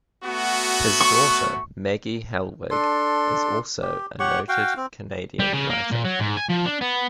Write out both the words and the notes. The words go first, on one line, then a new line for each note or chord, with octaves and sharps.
His daughter, Maggie Helwig, is also a noted Canadian writer.
A3 B3 F#4
C#6
D4 A4 C6
G4
G4 C#5 F#5 C#6
F#4 F5 G5
C4
G3
C#3
A#3
A#2
F#3
G#2
G#5
F3
D4
B3